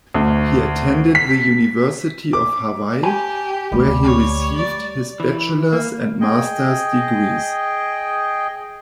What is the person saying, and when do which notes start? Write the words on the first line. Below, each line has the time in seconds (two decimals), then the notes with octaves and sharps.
He attended the University of Hawaii, where he received his bachelor's and master's degrees.
0.14 D2
1.15 B6
2.33 D6
3.03 G4 G#5
3.72 D2 G3 A3
4.03 C#5
4.56 D5
5.20 E3
5.73 A#3
6.21 G#4 D#5 G5